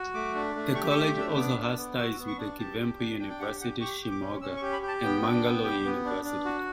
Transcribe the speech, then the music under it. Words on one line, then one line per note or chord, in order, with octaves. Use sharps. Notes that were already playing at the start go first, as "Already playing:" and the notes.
The college also has ties with the Kuvempu University, Shimoga; and Mangalore University.
Already playing: F#4
A3 D6
D4
A3
G4 C#6
C#6
A3
D6
D4 E6
B3 D6
D4
B3
F#4 E6
B3
C#6
D4
G4 A5
G4
D4
D4 G5
G5
G4 F#5
G4 F#5
G4 C#6
G4
D6
C#4
C#4 E6
C#6
G4
B5
G4
A5
B3 G5
D4
B3
G4
B3
D4
D4
F#4